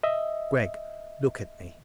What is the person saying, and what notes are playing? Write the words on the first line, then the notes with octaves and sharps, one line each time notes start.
"Gregg, look at me!"
D#5 E5